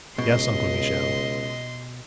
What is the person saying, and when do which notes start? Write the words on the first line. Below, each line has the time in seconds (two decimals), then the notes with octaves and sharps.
'Yes, Uncle Michel.
0.18 C#2 B2 D#5 C6